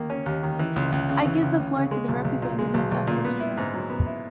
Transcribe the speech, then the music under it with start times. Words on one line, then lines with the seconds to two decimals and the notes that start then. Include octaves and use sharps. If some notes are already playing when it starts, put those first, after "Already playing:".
I give the floor to the representative of Israel.
Already playing: D#2 D#3 A#3
0.10 C#4
0.26 D#2
0.43 D#3
0.59 E3
0.76 C#2
0.92 C#2
1.09 C#3
1.26 E3
1.42 C#2
1.59 C#2
1.76 C#3
1.91 G#3
2.09 B1
2.25 B1
2.42 A#2
2.59 G#3
2.74 B1
2.91 B1
3.07 A#2
3.25 B3
3.40 E4
3.57 G#2
3.74 F#3
3.90 B3
4.06 E4